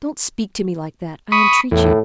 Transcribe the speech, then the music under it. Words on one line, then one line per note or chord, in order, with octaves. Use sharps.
"Don't speak to me like that, I entreat you."
B5 C#6 D#6
E2 A2